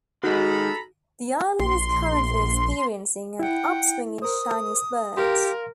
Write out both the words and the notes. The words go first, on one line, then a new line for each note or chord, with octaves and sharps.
The island is currently experiencing an upswing in Chinese births.
D#3 G#3 F#4 A4 A#5 B5
A#1 C6
E4 F#5 G5
A#4 C5 D#6
G4 A#4 F5 C6